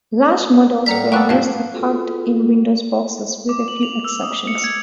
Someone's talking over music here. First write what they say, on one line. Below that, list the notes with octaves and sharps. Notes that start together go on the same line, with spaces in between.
Large models were mostly packed in window boxes, with a few exceptions.
A2 G3 F#5 A#5 B6
A#3 B3 A4 G5 C#6 F#6
G2 A#2 F3 F5 A5
F4 F#4 G#4 A4 B4
D6
F#7
F7
E6
D#6
C#7
G#6